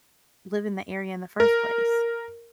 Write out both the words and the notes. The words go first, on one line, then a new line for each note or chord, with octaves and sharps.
live in the area in the first place?
A#4